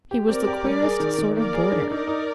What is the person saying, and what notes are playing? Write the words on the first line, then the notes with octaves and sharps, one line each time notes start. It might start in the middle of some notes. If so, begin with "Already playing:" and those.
He was the queerest sort of boarder!
G4
C4 A#4 D5
G4
G3
G#4
D#3
D#3
A#3 A#4 D5
G#4
D4
D#4 A#4 D5
D#4